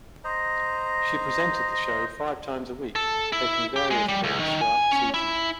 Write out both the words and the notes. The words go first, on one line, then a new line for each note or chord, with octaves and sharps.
She presented the show five times a week taking various breaks throughout the season.
C5 D#5 A#5
A4
E4
G4
G#3
G3
C#2
D#3
G#5
C#4
E4